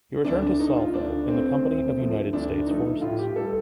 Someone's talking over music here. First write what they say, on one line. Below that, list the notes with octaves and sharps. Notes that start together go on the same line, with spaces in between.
He returned to Saalfeld in the company of United States forces.
D2 D4
D4
D3 A3 D#4
F4
D2 D4
D3 A3 C4
D2
D3 F3 A3
D2 D4
D3 F3 A3 D#4
A2 F4
G4
G3 A4